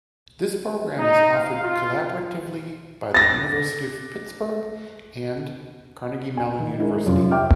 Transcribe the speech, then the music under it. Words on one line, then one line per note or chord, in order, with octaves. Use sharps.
This program is offered collaboratively by the University of Pittsburgh and Carnegie Mellon University.
D#4
F5
F4
A6 A#6
G#5
D#3
G#3 E4 A#4
F#2 C3 F4
E5 G5 D6 F6